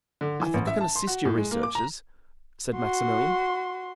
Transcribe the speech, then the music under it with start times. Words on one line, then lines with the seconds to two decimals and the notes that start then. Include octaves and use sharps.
"I think I can assist your researches," said Maximilian.
0.21 D3
0.40 E3
0.54 A1
0.67 E5
0.81 A5
0.96 C6
1.07 F#4
1.25 A2
1.37 G#3
1.51 A#3
1.63 D6
1.75 A#5
2.76 F#4 C6